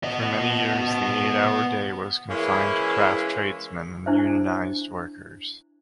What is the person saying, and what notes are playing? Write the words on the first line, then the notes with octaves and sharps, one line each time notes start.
For many years the eight-hour day was confined to craft tradesmen and unionised workers.
B3 D#5
E3 G#3 A#3 C#4 E4
D4 E4 C5 E5